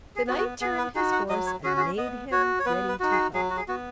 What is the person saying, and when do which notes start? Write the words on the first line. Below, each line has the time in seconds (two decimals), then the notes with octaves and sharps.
THE knight turned his horse and made him ready to fight.
0.16 G#4
0.27 B3 F#4
0.38 F#4
0.61 B3 G#4
0.78 B4
0.95 D#4 F#4 G#4
1.12 F#5
1.29 F#3 D#5
1.46 C#5
1.64 C#4 F#4 G#4
1.77 F#4
1.80 G#4
1.97 B3 D#5
2.32 F#4 C#5
2.59 C#5
2.66 B3 B4
2.89 B4
3.00 D#4 F#4
3.12 G#4
3.34 F#3 G#4
3.50 F#4
3.57 G#4
3.68 B3 F#4